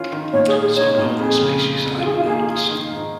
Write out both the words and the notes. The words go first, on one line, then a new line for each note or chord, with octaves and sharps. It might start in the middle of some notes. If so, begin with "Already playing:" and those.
Some northern species hibernate.
Already playing: D#3 C#4 F4
D#3
A#2 C#5
G#4
G#3
G#4
D#4 C#5
A#2
F2 G#4
C#3
G#3
F2
F4
D#3 G#4
F4
A#3 G#4
G#4
F4 G#4
D#3
G#2